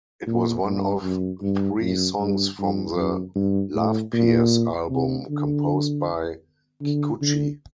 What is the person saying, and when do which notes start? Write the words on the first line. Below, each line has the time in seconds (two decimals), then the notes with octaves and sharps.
It was one of three songs from the "Loveppears" album composed by Kikuchi.
0.27 A#2
0.65 G2
1.03 F#2
1.42 G2
1.81 F#2
2.20 G2
2.59 G2
2.96 F#2
3.35 G2
3.74 A2
4.13 A#2
4.90 C3
5.29 D3
6.82 D3
7.21 D3